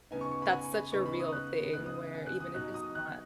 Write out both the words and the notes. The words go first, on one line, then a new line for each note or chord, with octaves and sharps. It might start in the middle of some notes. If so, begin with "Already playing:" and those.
that's such a real thing where even if it's not
C#3 B3 D#4 G#5
C#6
C#6
B5
G#5
B5
C#3 B3 D#4 C#6
B5
D#6
F#6
C#3 B3 D#4 F#6
D#6
G#5
F#6
D#6
B2 F#3 D#4 F#6
D#6
F#6